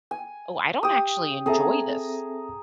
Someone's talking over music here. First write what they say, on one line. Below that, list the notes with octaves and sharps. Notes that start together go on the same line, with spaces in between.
"Oh, I don't actually enjoy this
G#5
G4 D#6
C4 G#4 A4 E5 A5 A#5